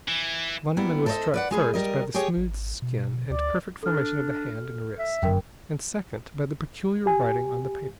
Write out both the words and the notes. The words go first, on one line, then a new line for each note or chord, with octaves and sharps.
Van Emmon was struck, first, by the smooth skin and perfect formation of the hand and wrist; and, second, by the peculiar writing on the papers.
E3
G3 A#3 B3 E4
A4 A#4 C5 C#5 D#5 E5
B4 D5 F#5
G#3 G#4 B4
G3 A#4 D#5
G4 G#4 C#5 D#5
G#1
B2
D2 D5
D4 A4 F6
E5
G1 F#2 A#4 G5
G4 G#5